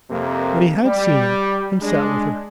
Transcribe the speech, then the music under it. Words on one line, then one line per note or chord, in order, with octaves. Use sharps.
But he had seen her, and sat with her.
F2 C3 A#3
G3
G#3 D4